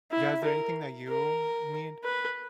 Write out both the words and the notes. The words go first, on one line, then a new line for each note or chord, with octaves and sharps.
yeah is there anything that you need
E4
A#4
A#4
B4